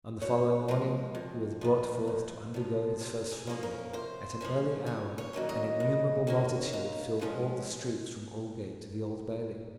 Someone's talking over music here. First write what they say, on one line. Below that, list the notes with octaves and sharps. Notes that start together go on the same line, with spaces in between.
On the following morning he was brought forth to undergo his first flogging. At an early hour an innumerable multitude filled all the streets from Aldgate to the Old Bailey.
F#2 C#5
F3 G#3 A#4
F2
C3 F3
F2
C3 F3
C3
G#4
F3 A#3 C#4
A#4
C3 C5
F3 A#3 C#4
F2 C#5
C#5
D#3 F#3 A#3 C#4
D#5
F2
D#3 F#3 A#3 C#4
D#2 F5
C#3 F3 G#3 C#4